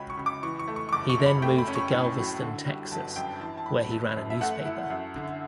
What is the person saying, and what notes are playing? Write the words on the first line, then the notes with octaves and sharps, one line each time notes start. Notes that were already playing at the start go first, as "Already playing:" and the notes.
He then moved to Galveston, Texas where he ran a newspaper.
Already playing: C#2 F#3 C#4 G5 B5
C#6
C#3
D6
E3 C#6
C#6
A3
C#6
C#6
F#1 D6
C#6
F#2
B5
A3 G5
B5
C#4
C#6
A2
F#3
D3
G3
G1 A5
F#2 G5
E3 A5
A5
G1 B5
G1 A5
F#2
E5
A3 F#5
E4
F#2
D3